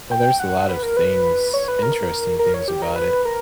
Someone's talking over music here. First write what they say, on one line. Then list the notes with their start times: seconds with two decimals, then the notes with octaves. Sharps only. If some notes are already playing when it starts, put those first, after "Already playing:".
well, there's a lot of things, interesting things about it.
0.11 G5
0.40 F#5
0.69 B4
0.83 A#4
0.97 B4
1.54 C#5
1.68 B4
1.82 A#4
2.39 A#4
2.54 C#5
2.68 G4
2.82 A#4
2.96 B4
3.25 A#4